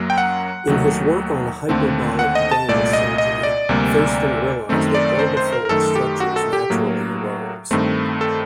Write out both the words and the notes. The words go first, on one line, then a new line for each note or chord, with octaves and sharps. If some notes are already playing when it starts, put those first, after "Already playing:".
In his work on hyperbolic Dehn surgery, Thurston realized that orbifold structures naturally arose.
Already playing: F#2 F#3 A#3
G5
F#5
D#2 D#3 F#3 A3
D#2 D3 A3 C4
F#5
D#5
A5
C2 A#2 A3 D5
D#5
D#5
D5
D2 C3 G3 A#3
F#2 D#3 A3 C4
D5
C5
C5
A#4
A#4
F#2 D#3 A3 A4
G4
F#4
A4
G4
A2 F#3 A#3
G2 D#3 A3 C4
A4